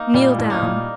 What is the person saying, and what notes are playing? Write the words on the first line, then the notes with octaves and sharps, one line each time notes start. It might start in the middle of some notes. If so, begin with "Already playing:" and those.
"Kneel down."
Already playing: A#3 D#4
A#2 G3
A2
A#3 D#4
A#2